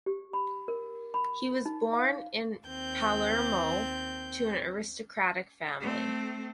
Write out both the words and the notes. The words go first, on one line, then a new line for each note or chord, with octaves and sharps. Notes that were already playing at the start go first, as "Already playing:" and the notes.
He was born in Palermo to an aristocratic family.
G4
B5
A#4
B5
D#4
F5
D#2 C4 G6
A3 C4